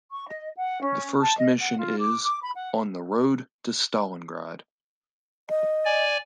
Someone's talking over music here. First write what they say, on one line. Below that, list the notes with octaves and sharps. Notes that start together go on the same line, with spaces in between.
The first mission is On the Road to Stalingrad.
C#6
D#5
F#5
C#4
A5
D#5
F#5
F4
D6
D6
B5
F#5
D#5
D5 G#5